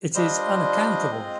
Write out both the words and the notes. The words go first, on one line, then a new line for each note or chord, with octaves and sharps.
It is unaccountable!
G3 D4 F4 C5 D#5
G#3 C4 F4